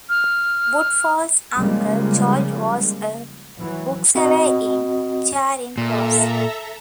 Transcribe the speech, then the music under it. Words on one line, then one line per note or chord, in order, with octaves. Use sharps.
Woodfall's uncle George was a bookseller in Charing Cross.
F6
C#3 F3 G3 G#3 A#3
E3 F#3
C4 F#4 D#5
A#2 A4 E5 A#5